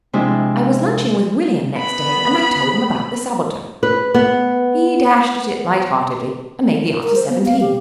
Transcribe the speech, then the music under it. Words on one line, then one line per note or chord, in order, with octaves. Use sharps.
I was lunching with William next day, and I told him about the subaltern. He dashed at it lightheartedly and made the answer seventeen.
C3 F3 G#3 D4 E4
B3 B5
B4
B3
A#4
C5
B3
F5
G4